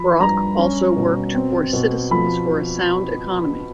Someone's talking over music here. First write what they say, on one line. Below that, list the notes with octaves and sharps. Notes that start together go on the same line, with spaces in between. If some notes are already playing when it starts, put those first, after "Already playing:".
Brock also worked for Citizens for a Sound Economy.
Already playing: F3 B5
G2 A#5
C#4
B2
C4
B2
F3 B5